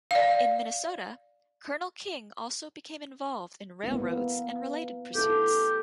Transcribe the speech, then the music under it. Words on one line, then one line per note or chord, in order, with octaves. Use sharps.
In Minnesota, Colonel King also became involved in railroads and related pursuits.
D5 F5
A#3 B3 E4
E4 G4 A4